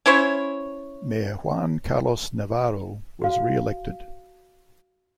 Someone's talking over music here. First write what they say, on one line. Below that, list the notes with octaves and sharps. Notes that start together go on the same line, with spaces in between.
Mayor Juan Carlos Navarro was re-elected.
C#4 E4 C5 C#5
F#4 F5